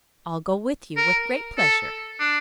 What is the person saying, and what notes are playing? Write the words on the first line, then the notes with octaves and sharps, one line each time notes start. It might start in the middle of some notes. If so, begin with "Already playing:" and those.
I'll go with you, with great pleasure.
A#4
A4
D4